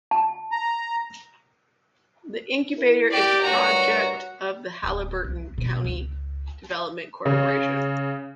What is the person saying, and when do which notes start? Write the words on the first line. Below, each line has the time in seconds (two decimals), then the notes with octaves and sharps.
The incubator is a project of the Haliburton County Development Corporation.
0.11 A5
0.52 A#5
2.76 E4 A#4
3.11 G4 D5
3.41 G2 F#4 A#4 C#5 A#5
4.83 D1
5.24 C2
5.58 B2
5.84 C#2
7.25 C#3